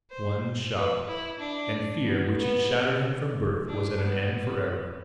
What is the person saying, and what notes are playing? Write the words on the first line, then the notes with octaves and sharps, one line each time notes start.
One shot!--and fear, which had shadowed him from birth, was at an end forever.
C5
B4
E4
D4
B3
B3
D4
B3